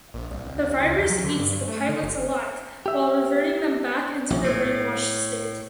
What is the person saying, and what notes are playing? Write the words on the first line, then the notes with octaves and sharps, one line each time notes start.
The virus eats the Pilots alive while reverting them back into their brainwashed state.
A#1
C2
C#2
D#2
C#2
E2
F#3
D3
G2
A3
D3
G1
G4 E5
A#1
A2